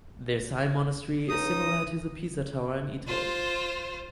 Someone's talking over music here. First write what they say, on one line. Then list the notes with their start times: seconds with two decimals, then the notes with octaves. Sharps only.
This high monastery is similar to the Pisa Tower in Italy.
1.29 C#2 D#4 D#6
3.07 F4 C5